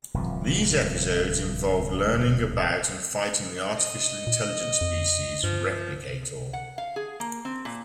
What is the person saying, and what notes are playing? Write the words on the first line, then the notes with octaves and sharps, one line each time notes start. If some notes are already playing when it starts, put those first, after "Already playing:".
These episodes involved learning about and fighting the artificial intelligence species Replicator.
D1 C2 F3
D#5
A#2
F2
G2 F3
F#5
F5
G#4
A#3
C4
A#2